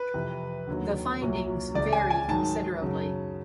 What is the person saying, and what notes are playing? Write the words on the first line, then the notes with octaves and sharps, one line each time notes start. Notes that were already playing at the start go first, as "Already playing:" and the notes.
The findings vary considerably.
Already playing: B4
F2 C3 E3
D#2 D3 F#3
C2 A#2 F#3
C#2 C#3 E3 D5
G#5
G#5
G#2 D#3 F#3 A5
F#2 C#3 F#3